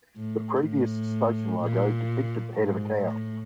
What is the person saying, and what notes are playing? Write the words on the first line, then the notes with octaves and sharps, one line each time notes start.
The previous station logo depicted the head of a cow.
A2
A2
A#2
G#2
A2